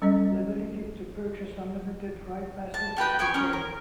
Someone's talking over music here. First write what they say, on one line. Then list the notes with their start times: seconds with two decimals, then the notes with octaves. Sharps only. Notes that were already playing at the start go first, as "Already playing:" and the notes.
The ability to purchase unlimited ride passes is retained.
0.02 G3 C#4 A4 D#5
2.74 A5
2.97 F#4 G4 B4 G5
3.19 B3 G5 G#5 C#6
3.34 C#4 A#4 C#5
3.53 A#4